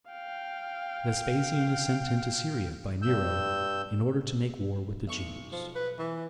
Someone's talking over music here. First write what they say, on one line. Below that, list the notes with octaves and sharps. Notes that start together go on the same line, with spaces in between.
Vespasian Is Sent Into Syria By Nero In Order To Make War With The Jews.
F5 G5
G2 E6 G6
B1 C#6
F3
B4
E3